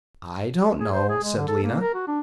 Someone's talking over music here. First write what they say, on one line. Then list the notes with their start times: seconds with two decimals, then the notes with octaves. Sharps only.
"I don't know," said Lena.
0.80 G#4
0.92 C5
1.09 G#4
1.24 G#3
1.37 D3
1.48 A4
1.63 A#3
1.81 A#4
1.94 F#4
2.07 D4